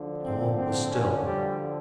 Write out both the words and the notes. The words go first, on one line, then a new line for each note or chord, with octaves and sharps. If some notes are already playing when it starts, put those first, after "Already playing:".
All was still.
Already playing: D2 D3 F3
C4
C4
C#4
G3